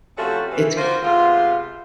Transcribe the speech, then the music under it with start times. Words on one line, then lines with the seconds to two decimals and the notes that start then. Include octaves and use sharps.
It's great.
0.17 C3 F3 A3 C#4 F#4 G4
0.51 E3
0.77 A#3 F4 F#4 A#4 C5
1.02 G#2 C3 B3 F4